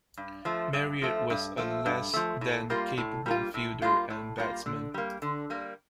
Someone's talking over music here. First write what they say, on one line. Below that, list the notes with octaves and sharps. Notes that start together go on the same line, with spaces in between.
Marriott was a less than capable fielder and batsman.
G2
F3 A3
G2
F3 A3
G2
F3 A3
G2
F3 A3
A2
G3 A#3 F4
A2
G3 A#3 F4
A2
G3 A#3 F4
A2
G3 A#3 F4
D3
G3 A#3
D3
G3 A#3